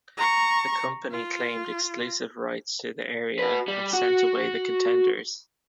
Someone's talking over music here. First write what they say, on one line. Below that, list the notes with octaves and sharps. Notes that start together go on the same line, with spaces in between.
The company claimed exclusive rights to the area and sent away the contenders.
A#5 C#6
F4
F#4 B4
G3
F#4